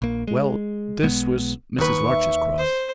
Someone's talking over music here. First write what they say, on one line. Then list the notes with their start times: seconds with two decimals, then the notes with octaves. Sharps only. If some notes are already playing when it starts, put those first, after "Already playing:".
Well, this was Mrs. Larch's cross.
0.02 A#1 A#3
0.27 G#3
1.03 B1 G#3 B3
1.78 D#2 D#3 B4 C#6
2.08 E5
2.57 C5